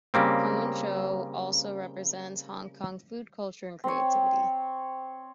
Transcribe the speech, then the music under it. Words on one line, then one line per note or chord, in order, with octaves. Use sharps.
Poon choi also represents Hong Kong's food culture and creativity.
C#3 G3 A#3 C4
C4 C#5